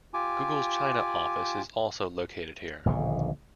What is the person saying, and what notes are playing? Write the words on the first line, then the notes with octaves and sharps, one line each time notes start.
Google's China office is also located here.
F4 G4 G#5 D6
D#1 A#1 B2 D3